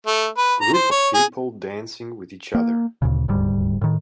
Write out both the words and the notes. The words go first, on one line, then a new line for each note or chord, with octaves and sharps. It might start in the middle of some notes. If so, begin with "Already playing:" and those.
Group of people dancing with each other.
A3
B4
A#5
C5
C#5
G#4
A#3
D2 A#2 C#3
D#1 D2 G#2 G3
A2 D#3